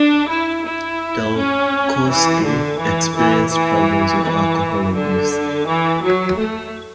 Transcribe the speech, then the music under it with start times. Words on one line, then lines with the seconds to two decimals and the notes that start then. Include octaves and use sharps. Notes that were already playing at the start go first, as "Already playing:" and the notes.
Dalkowski experienced problems with alcohol abuse.
Already playing: D4
0.28 E4
0.64 E4
1.35 C#4
2.07 E3
2.43 D3
2.78 E3
3.15 E3
3.50 E3
4.22 E3
4.93 D3
5.66 E3
6.01 F#3
6.37 A3